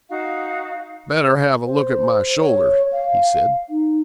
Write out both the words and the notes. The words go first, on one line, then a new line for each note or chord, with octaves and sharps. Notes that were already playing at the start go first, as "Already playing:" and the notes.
'Better have a look at my shoulder,' he said.
D#4 F#4 F5
C5
C#5
F5
D#4